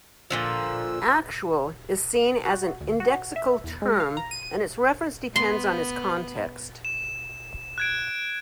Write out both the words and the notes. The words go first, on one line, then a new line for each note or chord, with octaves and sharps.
"Actual" is seen as an indexical term, and its reference depends on its context.
A#2 D3 F3 F4 E6
F#4
D2
F#4
E5
E2
G#3
F5
A#5
D#7
B3 C6
E7
F#6 G#6 D7